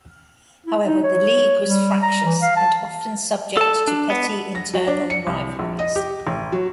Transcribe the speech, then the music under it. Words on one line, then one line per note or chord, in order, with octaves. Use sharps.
However, the League was fractious and often subject to petty internal rivalries.
E4
D#4
C#5
G3
A#5
E3
F5
A5
A4 A5
D4
B3
A#6
F#3
D4
C#7
C2
A#1
D#5
G4
A1
F#3